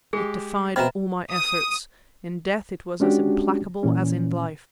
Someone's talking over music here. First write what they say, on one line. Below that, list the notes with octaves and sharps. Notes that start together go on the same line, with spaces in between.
It defied all my efforts; in death it was as implacable as in life.
G#3 G4 G#4
B2 C4 D#5 E5 A#5 B5 F6
D#6
G#3 C#4 D4 F#4 G4
A#2 E3 C#4